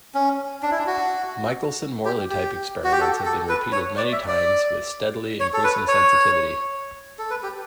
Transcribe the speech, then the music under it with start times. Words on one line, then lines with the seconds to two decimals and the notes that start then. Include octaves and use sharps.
Michelson-Morley type experiments have been repeated many times with steadily increasing sensitivity.
0.15 C#4
0.63 D4
0.71 E4
0.78 D4
0.87 F#4
2.05 G4
2.30 G4
2.84 F#4
2.92 G4
3.01 A4
3.25 A4
3.49 B4
3.72 C#5
3.97 D5
4.12 E5
4.28 D5
5.40 C#5
5.54 A4
5.64 B4
5.88 C#5
7.19 A4
7.30 B4
7.43 G4